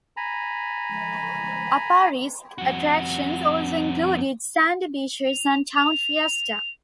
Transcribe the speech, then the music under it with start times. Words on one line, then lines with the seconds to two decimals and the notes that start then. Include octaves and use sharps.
Aparri's attractions also include its sandy beaches and town fiesta.
0.17 G#5 A#5 B5
2.58 F2 F#4
5.26 F7
5.76 F7